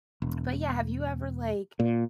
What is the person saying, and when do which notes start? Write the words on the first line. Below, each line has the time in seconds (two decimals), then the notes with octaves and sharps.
but, yeah, have you ever, like,
0.22 E1
1.80 A#2